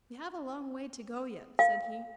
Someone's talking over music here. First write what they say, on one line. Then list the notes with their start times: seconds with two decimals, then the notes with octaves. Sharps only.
"We have a long way to go yet," said he.
1.59 F5